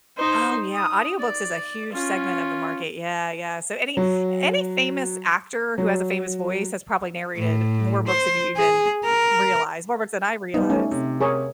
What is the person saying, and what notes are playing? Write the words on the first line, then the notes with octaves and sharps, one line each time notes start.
Oh, yeah, audiobooks is a huge segment of the market, yeah, yeah. So any any famous actor who has a famous voice has probably narrated more books than you even r realize, more books than I realize.
D#4 C5
D#6
D5
C#4 F4
F#3
F#3
A2
C5
G#4
A#4
G3 B3 D#4
A3 C#4
C3
G#4 A#4 C#5